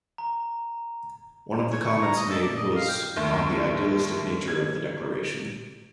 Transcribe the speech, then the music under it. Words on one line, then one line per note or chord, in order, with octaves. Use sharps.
One of the comments made was on the idealistic nature of the Declaration.
A#5
C#5
C#6
A#5
D#5
A4
D5
D#5
F5
G5
D#2 D#3 A3
G#6